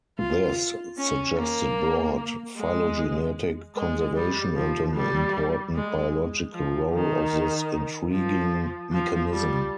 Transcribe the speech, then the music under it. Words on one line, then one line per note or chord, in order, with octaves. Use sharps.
This suggested broad phylogenetic conservation and an important biological role of this intriguing mechanism.
F4
C#4
A#3
G#3
G#3
G3
F3
G3
G#3
F3
D#3
F3
F3
G3